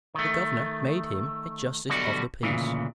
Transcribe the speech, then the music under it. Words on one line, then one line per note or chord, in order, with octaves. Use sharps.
The governor made him a justice of the peace.
D#3 A3
B1 B2 D3 G3 F#4
D2 A#2 C#3 E3